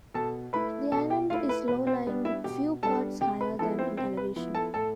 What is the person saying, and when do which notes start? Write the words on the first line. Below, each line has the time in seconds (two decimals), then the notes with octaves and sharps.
The island is low-lying with few parts higher than in elevation.
0.14 B2 A4 A5
0.53 A3 E4 B4 B5
0.92 B2 A4 A5
1.10 G4 G5
1.30 A3 F4 F5
1.34 E4
1.49 B4
1.68 B2 B4
1.87 C4 C5
2.07 G3 B3 D4
2.25 E4 E5
2.44 B2 G4 G5
2.83 G3 B3 D4 A4 A5
3.21 C3 G4 G5
3.41 B4 B5
3.59 F3 B3 E4 A4 A5
3.79 C4 C5
3.97 C3 C4 C5
4.17 B4
4.36 F3 B3 E4
4.55 A4 A5
4.74 A2 A4 A5